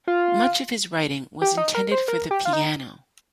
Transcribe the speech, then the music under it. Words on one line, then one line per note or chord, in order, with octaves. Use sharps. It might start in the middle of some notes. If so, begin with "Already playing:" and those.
Much of his writing was intended for the piano.
F4
G4
D#4
A#4
C5
A#4
G4
F4
D#4